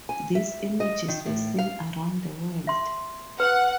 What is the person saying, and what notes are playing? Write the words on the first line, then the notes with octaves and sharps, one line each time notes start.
These images were seen around the world.
G#5
E5
D#5
D#3
A2
F5
E5 C6
B4 F#5